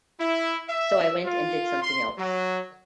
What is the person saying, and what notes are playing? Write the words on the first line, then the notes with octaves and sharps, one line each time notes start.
So I went and did something else.
E4
E5
F4
C6
F#3